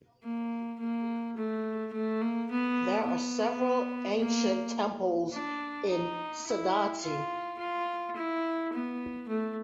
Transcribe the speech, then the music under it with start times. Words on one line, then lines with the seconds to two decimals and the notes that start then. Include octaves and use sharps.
There are several ancient temples in Saudatti.
0.23 A#3
0.79 A#3
1.37 A3
1.92 A3
2.21 A#3
2.50 B3
3.06 B3
4.20 A#3
5.33 D4
5.89 D#4
6.46 E4
7.02 F4
7.58 F4
8.16 E4
8.73 B3
9.28 A3